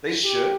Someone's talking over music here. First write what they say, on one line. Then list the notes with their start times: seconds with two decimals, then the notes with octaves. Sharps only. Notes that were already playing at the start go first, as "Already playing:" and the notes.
They should.
0.24 G4